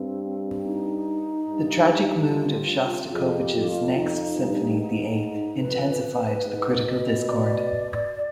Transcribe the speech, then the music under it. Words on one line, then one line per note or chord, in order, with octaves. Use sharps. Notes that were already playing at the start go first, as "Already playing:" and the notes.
The tragic mood of Shostakovich's next symphony, the Eighth, intensified the critical discord.
Already playing: G2 C4
D#4
G2
F4
F2 G#4
G4
F2
F4
F2 D#4
G2
G#2
F2 B4
G#2
B2
D5